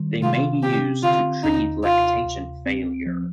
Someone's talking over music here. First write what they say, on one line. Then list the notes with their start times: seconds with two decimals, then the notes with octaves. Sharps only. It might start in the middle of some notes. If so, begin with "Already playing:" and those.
They may be used to treat lactation failure.
Already playing: D#3 G3
0.22 C3 F4
0.63 C4 G4
1.03 D3 F4
1.43 D#2 D#4
1.84 C3 F4
2.25 D2
2.66 C4
3.06 F3